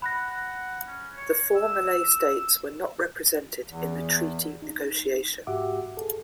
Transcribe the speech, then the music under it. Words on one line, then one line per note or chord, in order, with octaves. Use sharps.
The four Malay states were not represented in the treaty negotiation.
F#5 B5 F#6 A#6
C#4
C#5
E6
E2
D#4
G#2 F#4 G4 E5 F#5 D6
G#4 A4